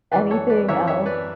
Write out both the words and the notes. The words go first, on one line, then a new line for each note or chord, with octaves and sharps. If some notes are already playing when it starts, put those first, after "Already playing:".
anything else,"
F#2 E3 B4 D5
A4 C#5
B4 D5
F#2 E3 C#5 E5
C#5 E5
B4 D5